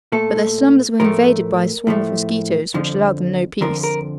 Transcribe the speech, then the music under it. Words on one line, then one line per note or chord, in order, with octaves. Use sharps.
But their slumbers were invaded by a swarm of mosquitoes, which allowed them no peace.
A#2 A3 A4
A2 F3 A3 A#4
A2 F3 A3
F2 D3 F3
F2 D3 F3 A#4
A#4